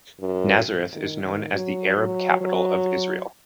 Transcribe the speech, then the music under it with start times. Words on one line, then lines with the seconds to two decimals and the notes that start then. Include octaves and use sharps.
Nazareth is known as "the Arab capital of Israel".
0.21 F#2
0.94 D#3
1.24 D#3
1.53 F#3
1.97 F#3
2.41 F#3